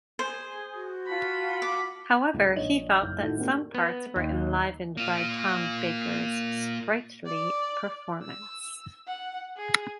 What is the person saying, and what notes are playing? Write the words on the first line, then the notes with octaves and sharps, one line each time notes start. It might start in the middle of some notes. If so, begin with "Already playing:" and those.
However, he felt that some parts were "enlivened by Tom Baker's sprightly performance".
G#4 C5
F#4
F4 F#5 A5 B5
D6
C#2
A#1 C#5 D#5 F#7
F#1 F6 G6
A2 D#3 F#4 A4
A#3 C4 D4 F#4 G4 A#4
B3
D#2
A#3 F4
D5
E6
F#5
G#4